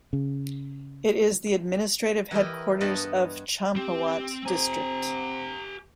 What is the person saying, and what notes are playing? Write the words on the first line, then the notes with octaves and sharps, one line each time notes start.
It is the administrative headquarters of Champawat district.
C#3
E3 E4 G4 A#4 D#5
G2 B3 D#5 A5 B5
C4 G4
C4 G4 G#5 A#5